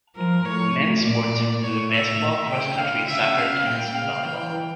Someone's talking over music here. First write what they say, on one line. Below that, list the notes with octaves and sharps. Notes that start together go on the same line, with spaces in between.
Men's sports include basketball, cross country, soccer, tennis and volleyball.
F3 A#4
A2 C#5
A2
A#2 D5
A#2
A2 C#5
E5
A#2
C#3 G5
D3 F5
C#3 E5
C#3 F5
A#2 G5
C#3 F5
E3 G5